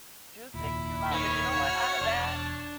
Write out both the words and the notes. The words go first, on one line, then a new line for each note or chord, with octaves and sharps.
do things you love and you know what, out of that.
F1 D#2 A#2 E4
D#3 C#5 F6
F#4
E1 D4 A5